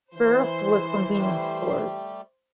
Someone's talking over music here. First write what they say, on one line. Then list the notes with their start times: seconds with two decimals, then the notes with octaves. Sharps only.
First was convenience stores.
0.15 E3 C5 C6
1.18 G3 A3 G4